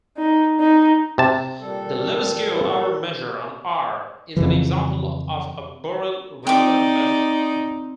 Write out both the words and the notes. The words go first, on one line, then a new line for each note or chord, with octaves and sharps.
The Lebesgue outer measure on R is an example of a Borel regular measure.
D#4
D#4
C3 A5
A#2 G3 A4
F2 C#3 E3
C4 D#4 G4 D5 G5 D6